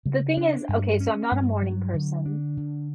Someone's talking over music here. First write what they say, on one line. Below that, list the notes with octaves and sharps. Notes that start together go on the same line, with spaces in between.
the thing is okay, so I'm not a morning person,
C#3
D4
G2
C#4
G2
F#3
D3
D4
D3